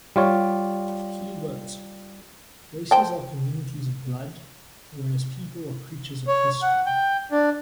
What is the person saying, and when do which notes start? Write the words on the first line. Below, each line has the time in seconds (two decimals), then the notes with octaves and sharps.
He wrote:Races are communities of blood, whereas people are creatures of history.
0.16 G3 F4 C#5
2.91 C5 G5 A5
6.27 C#5
6.62 F#5
6.86 G5
7.32 D4